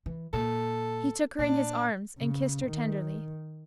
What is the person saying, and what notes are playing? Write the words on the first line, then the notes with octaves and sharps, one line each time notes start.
He took her in his arms and kissed her tenderly.
E3
A#2 A4
A#2 D4
C#3
D#3